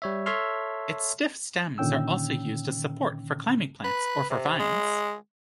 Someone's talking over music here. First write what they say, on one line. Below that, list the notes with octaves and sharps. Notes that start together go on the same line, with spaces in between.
Its stiff stems are also used as support for climbing plants or for vines.
G3 C#5 E5
A4 C#5 E5 A5 C6 F6
A#2 D3 D#3 C#4 G5 E6
B4
C3
G#3